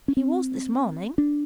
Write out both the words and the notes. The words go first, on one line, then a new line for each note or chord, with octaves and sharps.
'He was this morning.
C#4
C4
D4